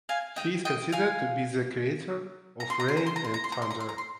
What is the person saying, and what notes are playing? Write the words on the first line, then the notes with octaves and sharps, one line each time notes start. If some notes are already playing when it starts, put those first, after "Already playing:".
He is considered to be the creator of rain and thunder.
F5 G#5
D#5 G5
D#5 G5
F5 G#5
A#5
C6
A#5
C6
A#5
C6
A#5
C6
A#5
C6
A#5
C6
A#5
C6
A#5
C6